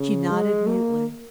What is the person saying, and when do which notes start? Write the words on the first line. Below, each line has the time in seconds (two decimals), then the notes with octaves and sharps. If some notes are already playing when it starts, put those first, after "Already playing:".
She nodded mutely.
Already playing: C#3
0.30 G#3
0.67 A#3